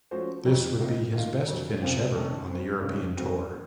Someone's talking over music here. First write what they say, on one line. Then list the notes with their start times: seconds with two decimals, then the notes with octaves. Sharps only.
This would be his best finish ever on the European Tour.
0.11 F3 A3 C#4 F#4 C5
0.45 F2 C3 D#3 F#3
0.79 C#2 C3 D#3 A#3
1.13 D#3 A#3 F4
1.47 F2 C#3 F#3 A#3
1.81 C2 C3 F3 C4 F4
2.15 C3 D#3 A3 C#4 A4
2.49 F#2 F3 C4
2.83 C3 D#3 A3 C#4 F4
3.17 C#3 A3 C4 F#4
3.51 A#3